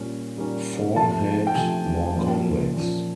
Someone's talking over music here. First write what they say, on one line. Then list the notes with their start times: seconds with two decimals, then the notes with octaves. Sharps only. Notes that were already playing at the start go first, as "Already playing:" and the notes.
Forehead more convex.
Already playing: A#2 G3 A#3 C#4
0.37 A#2 G3 A#3 C#4
0.96 C3 F3 A3 A5
1.47 G5
1.55 C3 F3 A3 G#5
2.14 A#2 F3 A#3 C#4
2.73 A#2 F3 A#3 C#4